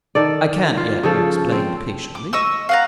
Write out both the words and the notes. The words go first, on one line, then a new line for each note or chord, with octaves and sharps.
"I can't yet," he explained, patiently.
D#3 A4 D5
F4
C#3 F3 A4
C4
D6
D#5 C#6 E6
F5 F#5 A#5